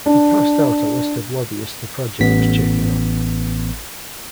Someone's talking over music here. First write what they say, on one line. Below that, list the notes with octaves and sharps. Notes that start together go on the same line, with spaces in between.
He passed out a list of lobbyists the project was checking on.
D4
A1 B3 B6